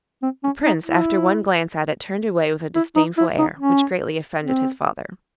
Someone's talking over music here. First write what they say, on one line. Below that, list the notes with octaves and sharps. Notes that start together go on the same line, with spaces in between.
The Prince after one glance at it turned away with a disdainful air, which greatly offended his father.
C4
C#4
D#4
E4
E4
D#4
E4
D#4
C#4
C4